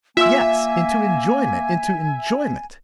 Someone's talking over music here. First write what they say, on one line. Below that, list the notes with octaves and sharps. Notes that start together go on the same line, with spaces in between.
Yes, into enjoyment, into enjoyment!
A#3 F4 E5 G#5 E6